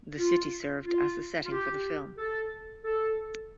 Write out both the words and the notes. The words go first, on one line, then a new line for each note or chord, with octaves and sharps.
The city served as the setting for the film.
F4
F4
F4
G4
A4
A4